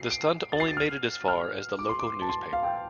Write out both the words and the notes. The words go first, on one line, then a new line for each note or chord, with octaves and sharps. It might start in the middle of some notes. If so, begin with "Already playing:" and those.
The stunt only made it as far as the local newspaper.
Already playing: C7
D7
A6
C7
A6
F6
F6
D6
C6
D6
A5
C6
F5
G5